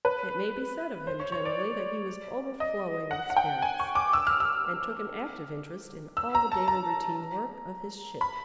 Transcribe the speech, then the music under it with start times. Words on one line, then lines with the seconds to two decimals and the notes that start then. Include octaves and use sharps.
It may be said of him, generally, that he was overflowing with spirits, and took an active interest in all the daily routine work of his ship.
0.05 B4
1.07 C5
1.20 C#5
1.32 C#5
1.45 D5
2.60 D#5
3.11 F#5
3.30 F#5
3.37 G5
3.62 G#5
3.80 C#6
3.95 D6
4.13 E6
4.27 F6
4.40 E6
6.17 E6
6.35 A#5
6.52 A5
6.68 A#5
8.21 B5